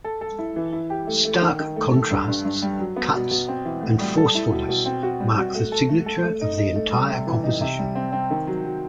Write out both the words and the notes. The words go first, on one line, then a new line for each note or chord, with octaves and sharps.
Stark contrasts, cuts and forcefulness mark the signature of the entire composition.
A4
A4
E4
E3
E4
G4
A3
A3
D#3
D#3
A3
A4
G2
G2
G2
G3
F#3
B3
B2
B2
C4
E3
A2
G3
A4
E4
B2
B2
C4
F#4
G3
F#4
A3
A4
A3
A4
A3
D#4
D#4
A3
G3
C3
E3
D#4
C3
G3
C4
C4
D#3
F#3
F#3